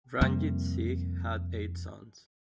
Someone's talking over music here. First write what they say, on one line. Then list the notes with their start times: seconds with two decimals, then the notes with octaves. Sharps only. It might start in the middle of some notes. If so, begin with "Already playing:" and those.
Ranjit Singh had eight sons.
0.21 F2 C3 G3 A#3